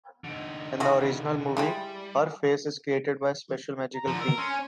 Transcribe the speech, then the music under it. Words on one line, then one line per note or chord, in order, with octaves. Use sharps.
In the original movie, her face is created by a special magical cream.
D3 D#4
E3 G#3 F#4
G3 G#3 E4 G5
A#5
D3 F3
A4 A#4
C#4 C6
G#5